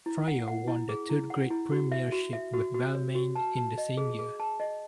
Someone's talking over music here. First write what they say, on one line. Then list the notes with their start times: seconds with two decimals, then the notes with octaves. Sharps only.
Fryer won the third grade premiership with Balmain in the same year.
0.06 E4
0.28 F#5
0.48 F#5
0.68 E4
0.89 G#4
1.09 E4
1.30 F#5
1.50 E4
1.72 F#4
1.92 E5
2.12 F#4
2.33 E5
2.54 F#4
2.74 F#4
2.95 C#5
3.15 F#4
3.35 A5
3.57 A5
3.78 D#5
3.97 G#4
4.19 G#4
4.40 A5
4.60 D#5